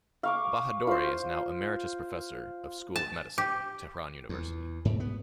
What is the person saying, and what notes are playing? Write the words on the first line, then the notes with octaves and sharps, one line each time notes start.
Bahadori is now Emeritus Professor of School of Medicine, Tehran University.
F5 C#6 D6
F4 C5
A5
G4
E2
G#2
B3